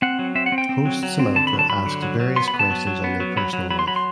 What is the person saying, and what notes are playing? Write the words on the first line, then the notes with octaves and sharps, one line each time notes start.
Host Samantha asks various questions on their personal life.
C4 F#5
F#3
C4 E5
F#5
C4
G5
C4
F#3
F#3
C4
D3 A5
B5
F#3
A5
F#3 B5
D3
F#3
F#3
B3 C6
B5
B3
A5
F#3
F#3
B3
F#3
F#3 B5
F#3
F#3 B5
C6
F#3 B5
C6